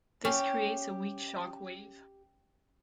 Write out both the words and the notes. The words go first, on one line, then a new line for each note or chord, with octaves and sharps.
This creates a weak shock wave.
C#4 G4